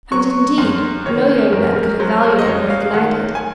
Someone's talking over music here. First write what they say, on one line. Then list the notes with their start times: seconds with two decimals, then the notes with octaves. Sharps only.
And, indeed, no young man could have valued it more than I did.
0.12 F#3 C#6
0.58 F#2 C6
1.06 D#3 C#5
1.28 C#5
1.53 F#2 A#4
1.76 A#4
1.99 F#3 C5
2.23 C5
2.39 D#5
2.46 F#2 C#5
2.70 F5
2.93 D#3 F#5
3.35 G#5